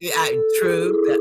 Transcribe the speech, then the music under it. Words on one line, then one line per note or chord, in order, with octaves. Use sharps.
Yeah, I true, the
A4
A4
G#4
E4